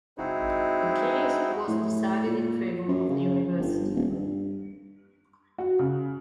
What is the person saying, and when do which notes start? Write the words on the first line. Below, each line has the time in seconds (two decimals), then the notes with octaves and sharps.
The case was decided in favor of the University.
0.18 G#3 C4 D#4 E4 F#4 G#4
1.67 A2
2.27 A#2
2.88 F#2
3.09 C#3
3.59 G1
3.95 D#1
4.12 G2
5.58 F#4
5.79 C#3